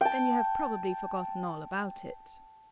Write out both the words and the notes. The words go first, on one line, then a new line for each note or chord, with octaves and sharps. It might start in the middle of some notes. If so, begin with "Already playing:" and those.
"Then you have probably forgotten all about it."
G5 A5